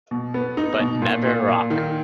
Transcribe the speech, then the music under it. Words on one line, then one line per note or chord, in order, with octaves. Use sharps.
But never rock.
B2
B3
D#4
B2
A#2
A#2
A#2
D#3